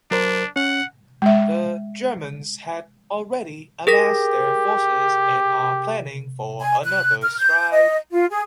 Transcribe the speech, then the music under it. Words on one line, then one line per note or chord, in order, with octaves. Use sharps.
The Germans had already amassed their forces and are planning for another strike.
F#3 D4 A#4 C5
C#4 F#5
G#3 E5
G4 G#4 A#4 A#6
G#5
F#6
F6
G6
D#5
F4
G#4